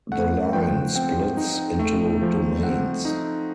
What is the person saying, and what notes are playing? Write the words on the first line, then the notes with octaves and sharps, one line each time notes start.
The line splits into domains.
A3 F#5
F3 G5
C4 G5
D#4
A3
F3
C4 F#5
D#4